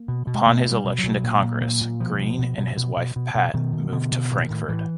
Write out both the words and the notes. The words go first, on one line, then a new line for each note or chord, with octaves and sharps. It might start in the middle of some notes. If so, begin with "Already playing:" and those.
Upon his election to Congress, Green and his wife Pat moved to Frankford.
Already playing: A#3
B2
B2
G#3
B2 A3
B2
G3
B2
F#3
B2
A#2
A#2
A#2
A#2
B2 F3
B2
B2
B2
B2
B2
B2
B2
B2 D#3
B2
B2 D3
B2
A2 D#3
A2
A2 E3